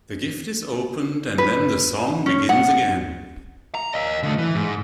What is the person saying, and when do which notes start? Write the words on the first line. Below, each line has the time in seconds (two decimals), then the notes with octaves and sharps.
The gift is opened and then the song begins again.
1.38 B4
2.26 C#4
2.49 F#5
3.75 A#5
3.94 D#5 F5
4.23 D3 A3
4.38 E3
4.55 G#2